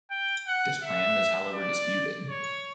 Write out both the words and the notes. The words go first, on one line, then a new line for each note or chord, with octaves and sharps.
This claim is however disputed.
G5
F#5
E5
D5
C#5